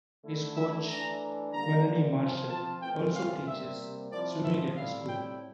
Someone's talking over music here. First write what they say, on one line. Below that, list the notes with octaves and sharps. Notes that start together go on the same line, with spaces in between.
His coach, Melanie Marshall also teaches swimming at the school.
D3 A3 E4
E5
E3 A3 D4 A#5
D3 G3 A#3 A#5
F3 C4 F4
A5
E3 A3 C4 F4 G5
F5
C3 G3 A#3 E5
F3 C4 E4 D5
E5
A2 G3 C4 E4 F5
G5